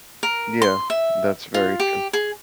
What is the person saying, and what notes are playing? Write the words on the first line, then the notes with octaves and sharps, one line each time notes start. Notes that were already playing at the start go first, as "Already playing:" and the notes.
Yeah, that's very true.
A#4
C6
E5
F4
G4
G#4